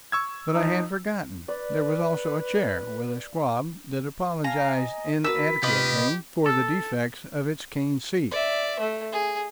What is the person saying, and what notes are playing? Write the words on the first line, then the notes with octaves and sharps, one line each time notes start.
But I had forgotten--there was also a chair with a "squab" that apologized inadequately for the defects of its cane seat.
C#6 E6 G#6
F3 D#4
B4 D5
F5 G#5 A#5
D#5
F#4 A#4 B4 E6 B6
C3 F4 G4 B4 D#5
A4
D5 E5
A3
G#4